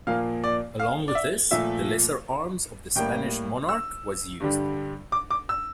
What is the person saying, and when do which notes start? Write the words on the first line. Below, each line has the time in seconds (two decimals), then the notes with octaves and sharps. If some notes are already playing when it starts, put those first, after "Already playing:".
Along with this, the lesser arms of the Spanish monarch was used.
0.07 A#2 F3 A#3 F5
0.44 D5
0.80 F5
1.08 D5
1.15 E5
1.51 A#2 F3 A3 E5
2.96 A2 G3 A#3 G5
3.69 E6
4.40 G2 D3 G3
5.12 D6
5.30 D6
5.49 E6